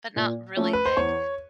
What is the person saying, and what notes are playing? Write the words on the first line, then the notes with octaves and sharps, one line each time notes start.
but not really thick.
A#2
F3 A3 C#4
B4
C5
E2 C#5